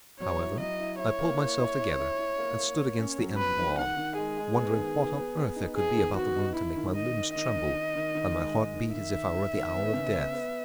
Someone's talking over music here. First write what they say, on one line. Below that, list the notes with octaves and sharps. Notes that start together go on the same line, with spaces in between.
However, I pulled myself together, and stood against the end wall, wondering what on earth there could be about the room to make my limbs tremble, and my heart beat as if I were at the hour of death.
F#3 C#5
E4
F#3 D#5
E4
E4 C#5
A#3
E4
E4
E4
E4
E4
A#3
A#3
A#3
C#4
F#3
B3 B4
D#3
D#3 F#5
D#3
G#3 G#4
G#3
B3
D#3
B3
B3
B3
D#4
B3 G#4
D#3
B3 F#4
D#4
D#4 E4
D#3
D#3 D#5
D#3
D#3 D#5
D#3
D#3
D#3
D#3
G#3
D#3
D#3
D#3 E5
D#3
D#3
D#3
B3
C#3
B3
B3